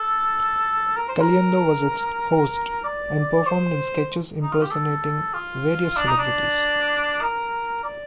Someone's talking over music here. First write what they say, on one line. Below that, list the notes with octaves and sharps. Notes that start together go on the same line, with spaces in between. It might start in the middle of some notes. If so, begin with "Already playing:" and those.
Caliendo was its host and performed in sketches impersonating various celebrities.
Already playing: A4
A#4
C5
A#4
D5
C5
D#4
F4
G4
A4
F4
D4
D#4
D4
A#4
D5